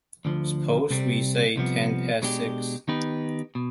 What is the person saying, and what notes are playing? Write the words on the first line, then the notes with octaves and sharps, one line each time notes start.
Suppose we say ten past six!
D2 D3 F3
C2 C3 G3 C4
C2 C3 F3 B3
B2 G#3 D4 G4
D#3 B3 D#4 G4 B4
B2